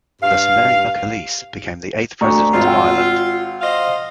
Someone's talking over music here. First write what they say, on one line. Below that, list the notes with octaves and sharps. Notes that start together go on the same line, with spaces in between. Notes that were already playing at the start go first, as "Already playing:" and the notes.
Thus, Mary McAleese became the eighth president of Ireland.
G2 F5
D2 A#5 C#6
G#1 F4
F#5 G5 E6
C5 D#5 F5